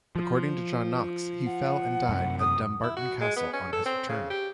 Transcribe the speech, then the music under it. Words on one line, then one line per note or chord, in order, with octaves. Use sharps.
According to John Knox he fell and died at Dumbarton Castle on his return.
F3
F#5
F#2 C3
D#6
E4
F#4
G#3
B3
C#4
A4
C4
C#3
G4